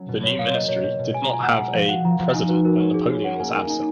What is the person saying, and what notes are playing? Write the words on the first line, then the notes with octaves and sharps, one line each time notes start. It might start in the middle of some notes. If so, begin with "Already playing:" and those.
The new ministry did not have a "president when Napoleon was absent".
Already playing: F#3 C#4
B2
B2 C#5
B2 F5
C#5
A#3 D#5
B2 C#5
B2 C#5
B2
G#3 G#5
A#5
F4 G#5
G#3 F#5
G#3
F3 F5
F#4 F#5
F3 A#5
F3
D#4 G#5
F#4 B4
F#4 A#4
C#5
C#4 G#4
G#4
C#4 F#5
A#3 G#5
D#4 G#5
D#4 G#5